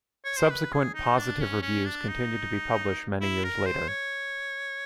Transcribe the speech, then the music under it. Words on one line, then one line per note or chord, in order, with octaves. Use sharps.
Subsequent positive reviews continued to be published many years later.
C#5
C5
B4
G#4
D#4
D4
C#4
C#4
D4
D#4
E4
A#4
C5
C#5